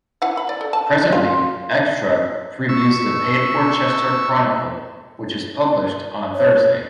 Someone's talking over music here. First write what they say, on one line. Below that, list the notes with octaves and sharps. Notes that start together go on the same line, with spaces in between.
Presently "Xtra" previews the paid-for "Chester Chronicle" which is published on a Thursday.
E4 F#5
B5
D5
A4
A5
F4
C#6 E6
C#5